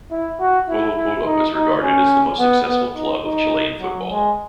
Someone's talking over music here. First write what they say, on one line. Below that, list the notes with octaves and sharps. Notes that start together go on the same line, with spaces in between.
Colo-Colo is regarded as the most successful club of Chilean football.
E4
F#4
E4
E4
D#4
D#4
C#4
B3
B3
D#4
D#4
F#3
G#3